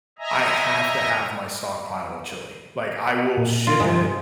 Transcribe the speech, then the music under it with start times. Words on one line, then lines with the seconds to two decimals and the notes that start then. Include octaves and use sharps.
I have to have my stockpile of chili. Like, I will ship it.
0.19 D#5 E5 G#5 A#5
3.37 A#2
3.67 F4
3.80 G2 C3 G#3